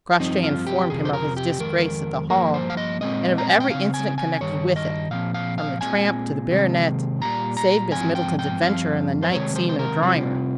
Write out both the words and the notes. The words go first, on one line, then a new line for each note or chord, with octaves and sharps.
Crossjay informed him of his disgrace at the Hall, and of every incident connected with it, from the tramp to the baronet, save Miss Middleton's adventure and the night scene in the drawing-room.
G2 F3 C4 D#4
F4
G4
F2 C3 F3 G#4
C5
A#4
G4
F2 D#3 G#3 A#4
G2 F3 A#3 A#4
C5
F5
D#5
A#2 G#3 C4 D#5
A#5
G#5
G5
C#3 G#3 C4 F5
G#5
G#5
G2 D#3 C#5
D#5
A#2 F3 C4 F5
F5
F5
A#2 G#3 C4 G#5
C3 D#3 G#3 C4
A#2 G3 A#3 A#5
A#5
G#2 F3 C4 G#5
G5
G5
G2 F3 C4 F5
C5
C3 D#3 G#3 C4 C#5
C5
C5
A#4
C3 G3 C4 F4